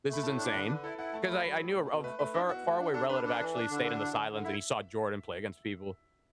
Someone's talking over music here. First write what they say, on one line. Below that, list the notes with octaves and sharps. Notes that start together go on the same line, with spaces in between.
This is insane." 'Cause I I knew a a far far away relative actually stayed in the sidelines and he saw Jordan play against people.
A3 B5
A2 A5
D4
A5
D3 B5
D3 B4
E4 A4
E4 F#5
A3 A5
F#3 B5
F#3 B5
A2
B2
B2
A3 B4
A3 B4
D4 E4
B2 F#4
A3
D4
D4 A4
D4 B4
D4 A4
E3
D4
D3
E4
D4 F#4
D3
D3
D3
E4 E5